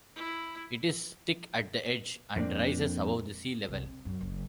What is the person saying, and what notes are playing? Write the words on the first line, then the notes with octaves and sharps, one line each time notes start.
It is thick at the edge, and rises above the sea level.
E4
F2 A#3 C4 D4 D5
C2
C4
F#2
F#1